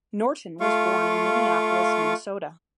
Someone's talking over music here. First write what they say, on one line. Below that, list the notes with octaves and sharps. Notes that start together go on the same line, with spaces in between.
Norton was born in Minneapolis, Minnesota.
A3 F4 F5 C#6